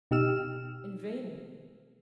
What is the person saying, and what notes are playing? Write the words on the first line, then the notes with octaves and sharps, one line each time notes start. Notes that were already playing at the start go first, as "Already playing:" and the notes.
In vain!
B2 D#4 G4 E6 F6 E7